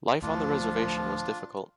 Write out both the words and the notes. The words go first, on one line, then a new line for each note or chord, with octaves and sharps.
Life on the reservation was difficult.
D2 A2 F3 D4 F4